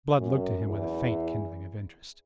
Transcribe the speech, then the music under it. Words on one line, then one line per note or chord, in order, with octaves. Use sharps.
Blood looked at him with a faint kindling of interest.
F#2
E2